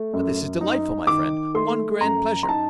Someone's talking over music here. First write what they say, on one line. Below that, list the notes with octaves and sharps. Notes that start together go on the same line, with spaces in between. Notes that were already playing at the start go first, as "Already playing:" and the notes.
But this is delightful, my friend--one grand pleasure!
Already playing: A3
F#2
D#4
D#3 D6
A3 C6
F#2 A#5
A#5
D#4 A5